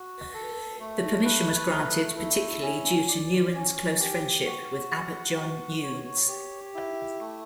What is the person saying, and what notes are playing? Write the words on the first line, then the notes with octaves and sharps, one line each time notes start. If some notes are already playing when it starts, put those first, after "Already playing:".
The permission was granted particularly due to Nouwen's close friendship with Abbot John Eudes.
Already playing: F#4
A4
A3
B4
A3
E4
C#4
D5
C#4
G4
F#4
F#5
F#4
C#5
G4
E4
A3